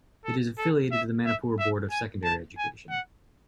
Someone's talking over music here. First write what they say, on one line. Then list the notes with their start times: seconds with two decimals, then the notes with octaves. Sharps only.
It is affiliated to the Manipur Board of Secondary Education.
0.25 A4
0.58 A4
0.92 E5
1.25 E5
1.59 E5
1.91 G#5
2.24 A5
2.58 G#5
2.90 F#5